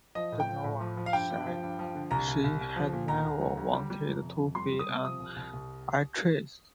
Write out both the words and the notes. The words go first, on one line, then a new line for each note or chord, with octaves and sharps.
Donovan said she had never wanted to be an actress.
F3 D#5
A2
G5
F3
A2
F3
F3
F5
G2 G5
G2
F3
G2
F3
D3
C2 A#5
C2
C2
C2
F3
A#2
D2 A#5
D2
D2
D2
G3
G3
F2
C3
F2
G3 C6
G3
D#6
C3
F3 D#6
C2
C2
C2